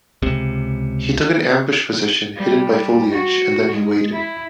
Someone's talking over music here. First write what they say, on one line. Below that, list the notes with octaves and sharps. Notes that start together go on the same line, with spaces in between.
He took an ambush position hidden by foliage and then he waited.
C#2 C3
G3
F#4
G#3
E4